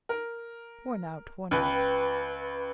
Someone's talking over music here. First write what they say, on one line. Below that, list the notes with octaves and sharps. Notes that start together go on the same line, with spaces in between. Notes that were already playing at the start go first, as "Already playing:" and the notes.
"Worn out! worn out!"
A#4
C#2 B4 G5